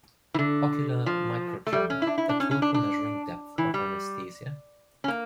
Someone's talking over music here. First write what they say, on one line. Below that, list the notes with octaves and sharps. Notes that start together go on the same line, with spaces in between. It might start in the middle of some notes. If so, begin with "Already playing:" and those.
Ocular microtremor: a tool for measuring depth of anaesthesia?
E3
D3
F3
A3
G3
C#4
E4
D4
E4
D4
C#4
C#4
D4
D4
E3
G3
C#4
A#3